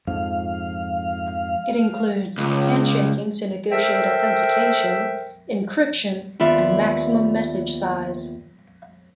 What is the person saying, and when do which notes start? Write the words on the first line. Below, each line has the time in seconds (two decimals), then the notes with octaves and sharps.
It includes handshaking to negotiate authentication, encryption and maximum message size.
0.07 F2 G#2 F3 F5
2.38 C#2
3.71 A4 A#4 C5 E5 G5
6.40 D#2 B3 F4 D5 E5